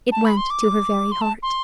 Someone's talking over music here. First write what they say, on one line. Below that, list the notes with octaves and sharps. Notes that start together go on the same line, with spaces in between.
It went to her very heart.
A5
B5
C6
D6
C6
A5
C6